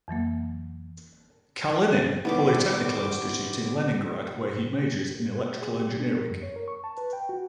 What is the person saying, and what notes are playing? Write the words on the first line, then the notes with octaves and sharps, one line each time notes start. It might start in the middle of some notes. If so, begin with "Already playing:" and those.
Kalinin Polytechnical Institute in Leningrad where he majored in electrical engineering.
F2 E3 F#3 A#3
A2 C3 D#3 G3 B3 C5 D6
G#4
G4
D4
A#4
F#2
C#5
A#4
C#6
A5
B4
G5
F#4